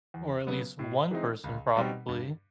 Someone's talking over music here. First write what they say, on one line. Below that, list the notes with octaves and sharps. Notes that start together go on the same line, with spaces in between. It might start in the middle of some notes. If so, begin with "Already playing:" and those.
or at least one person probably,
E2
C#3 F#3 B3
A2
E3 G#3 C4 D#4
C#2
B2 G3 C4 D#4
G2